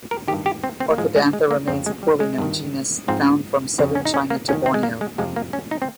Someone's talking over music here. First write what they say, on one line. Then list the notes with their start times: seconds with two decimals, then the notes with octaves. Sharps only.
"Orchidantha" remains a poorly known genus, found from southern China to Borneo.
0.11 A#4
0.28 D#3 G4
0.33 G2
0.46 G4
0.64 C4
0.80 C4
0.91 A#3
0.98 G#2 F3 G#3
1.16 G#3
1.33 G#3
1.51 A#3
1.68 F2 C#3 F3 C4
1.86 G#3
2.03 G3
2.20 G#3
2.38 G2 D#3
3.08 G#2 F3 C4
3.78 F2 C#3 F3 C4
3.95 C#4
4.05 D#4
4.14 C#4
4.30 A#3
4.48 F2 C#4
4.53 D#3
4.66 C4
4.74 G#3
4.83 A#3
5.01 G#3
5.18 F2 C3 F3 G#3
5.36 A#3
5.53 C#4
5.71 D#4
5.82 C4